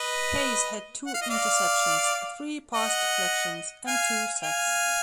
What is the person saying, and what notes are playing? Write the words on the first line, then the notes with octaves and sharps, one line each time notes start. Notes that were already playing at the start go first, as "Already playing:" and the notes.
Hayes had two interceptions, three pass deflections, and two sacks.
Already playing: B4 D#5
F#5
F5
D#5
D5 F5
D#5 F#5
F5 G#5
F5 G#5